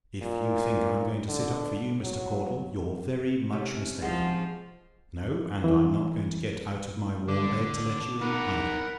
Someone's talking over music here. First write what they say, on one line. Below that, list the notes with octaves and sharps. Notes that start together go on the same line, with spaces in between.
If you think I'm going to sit up for you, Mr. Caudle, you're very much mistaken. No: and I'm not going to get out of my warm bed to let you in, either.
A#2
D3
F#3
C3 A3 C#4
F3 G#3 D#4 F#5
E3
D3 D6
D#4 F#4 A#4 F#5 B5